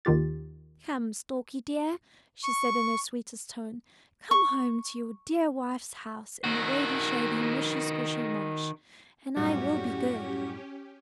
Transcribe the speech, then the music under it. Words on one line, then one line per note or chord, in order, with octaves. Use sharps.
"Come, Storkie dear," she said in her sweetest tone, "come home to your dear wife's house in the wady-shady, mushy-squshy marsh, and I will be good."
D#2 D#3 F4 G4 A6
C#6
C#6
D#3 F#4
F#2 A2 G3 C#4 F#4 G4